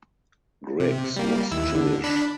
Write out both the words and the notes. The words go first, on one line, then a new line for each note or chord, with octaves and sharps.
Griggs was Jewish.
C3
G3 A#3
D#2 E4 E6
D3
D4 B5